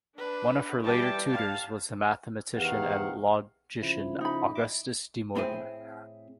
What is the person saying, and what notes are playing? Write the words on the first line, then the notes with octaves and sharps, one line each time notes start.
One of her later tutors was the mathematician and logician Augustus De Morgan.
D4 B4
E3 G3 G5 A5
F5 A5
E2 C3 D#3 G4 F5 F#5
C#3 F3 E4
D#4 B5
D#5 E5 D6
A2 C4 E4 G#4